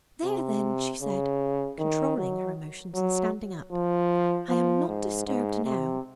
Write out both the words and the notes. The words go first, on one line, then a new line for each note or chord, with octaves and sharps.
"There then," she said, controlling her emotion, and standing up; "I am not disturbed now."
C3
C#3
D#3
F#3
F#3
F3
F3
G#2
G#2
C3